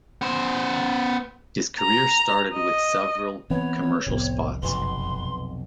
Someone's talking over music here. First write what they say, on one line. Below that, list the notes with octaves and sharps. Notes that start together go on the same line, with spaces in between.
His career started with several commercial spots.
B3 C5
A#5
D#5
E3 B3 C4 B4 C#5
F1 C2 F2 A2 B3 C4
F#1 B1 F2 C3 B4 C6